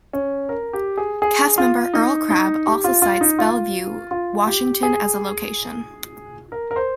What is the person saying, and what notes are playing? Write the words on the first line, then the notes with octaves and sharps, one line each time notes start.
Castmember Earl Crabb also cites Bellevue, Washington as a location.
C#4
A#4
G4
G#4
G#4
F4
D#4
D#4
G4
F4
F4
D#4
F4
F4
G4
G#4
A#4
A#4
C5